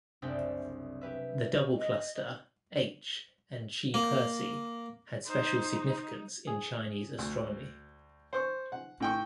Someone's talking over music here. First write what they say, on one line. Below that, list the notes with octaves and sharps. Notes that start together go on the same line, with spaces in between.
The Double Cluster, h and Chi Persei, had special significance in Chinese astronomy.
F#1 C2 C4 D4 G4 E5
G4 B4 E5
D#5
A#3
D#4 C5
G#4
D2
C5 C#6
F#5
A2 G5 C#6